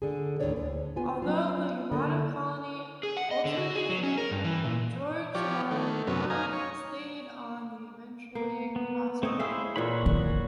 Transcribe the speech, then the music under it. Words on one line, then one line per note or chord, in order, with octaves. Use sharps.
Although the Yamato Colony ultimately failed, George Morikami stayed on and eventually prospered.
D3 G#4
D#2 A2 F#3 D4 C#5 D5
D2
B3 F4 G#5
F#3 C#4 F4
D3 A#3
G#4
F#5
D#5
D3
F#4
G#4
F#3
C#4
A#4
G2
E3
A#2
F3 G4 C#5 D5
D#3 A3
F#2 C3 F#3 B3 C#4
D#5 F5 G#5 A#5
C#5
A#3
B3
A3 C4 C#5 D#5
E4 G#4 C5 E5 F5
A#2 E3 F#4 C#5 B5
D#3